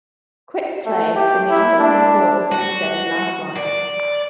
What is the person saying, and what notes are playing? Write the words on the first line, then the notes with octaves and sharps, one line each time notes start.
Quick clay has been the underlying cause of many deadly landslides.
A3
G4
E4
D4
F#4
D5